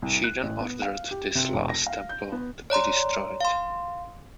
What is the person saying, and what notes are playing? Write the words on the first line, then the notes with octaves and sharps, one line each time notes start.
She then ordered this last temple to be destroyed.
C2
F#6
A1
B3
F5
G4
C3
E1
A#6
F5
G6
B3
C#5 D5 A#5 C6
F5 C6